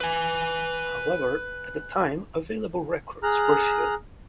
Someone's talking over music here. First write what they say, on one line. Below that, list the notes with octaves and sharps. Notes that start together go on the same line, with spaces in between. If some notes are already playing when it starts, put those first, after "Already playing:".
However, at that time available records were few.
B4 G#5
G#4 A#5 F6 F#6